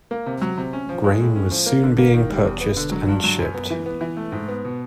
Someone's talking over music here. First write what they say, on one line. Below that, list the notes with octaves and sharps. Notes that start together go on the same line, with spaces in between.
Grain was soon being purchased and shipped.
A#3
C3
F#3
C3
C#4
F3
G#3
A2
C#4
F3
A#3
D3
A#3
D#3
G3
E2
B3
D3
F#3
G2
F#3
F#2
B3
E3
B3
E3
A3
G#2
B3
B2